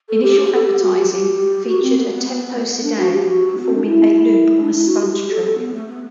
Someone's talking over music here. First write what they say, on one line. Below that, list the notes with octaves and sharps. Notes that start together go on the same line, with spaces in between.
Initial advertising featured a Tempo sedan performing a loop on a stunt track.
A4
G4
G4
A4
G4
F#4
G4
G4
F#4
C4
B3
B3
B3
B3
A3
B3
D4
F#4
G4
F#4
B3
C4
D4
E4
D4
E4
F#4
G4
G4
A4
A4
B3
A3
B3